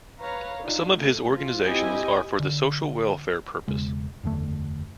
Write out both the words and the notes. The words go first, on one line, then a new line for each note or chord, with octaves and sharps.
Some of his organizations are for the social welfare purpose.
B4 C#5 F5 A#5
D4 D#4 F4
A3
F3 F4
C4 E4 G4 D#5 G#5
D3
E1 C#3 G#3
F#1 E2 D3 A3